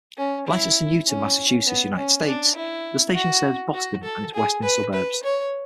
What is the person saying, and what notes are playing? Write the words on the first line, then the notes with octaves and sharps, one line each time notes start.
Licensed to Newton, Massachusetts, United States, the station serves Boston and its western suburbs.
C#4
E4
C#4
B3
C#4
D4
E4
F#4
F#4
A4
G#4
B4
B4
C#5